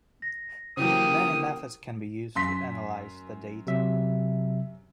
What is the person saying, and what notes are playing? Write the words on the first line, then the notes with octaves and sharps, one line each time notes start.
Many methods can be used to analyse the data.
A#6
C#3 E3 F#3 A#3 E4 G4 C5 D#6
F#2 C6 B6
C3 F#3 E5